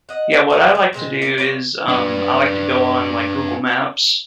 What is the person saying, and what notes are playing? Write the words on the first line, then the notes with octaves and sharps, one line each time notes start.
Yeah, what I like to do is, um, I like to go on, like, Google Maps
D#5 F#5
D#4 E4
D#3 E3
A#2 G#3 C5 G5
A#3 C4 E4
G3 F4 B4 C#5
D4 B4